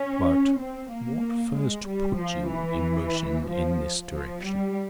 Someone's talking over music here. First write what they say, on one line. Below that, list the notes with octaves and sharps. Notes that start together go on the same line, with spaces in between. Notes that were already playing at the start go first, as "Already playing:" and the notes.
"But what first put you in motion in this direction?"
Already playing: C#4
C4
A#3
G#3
G3
F3
E3
F3
F3
G3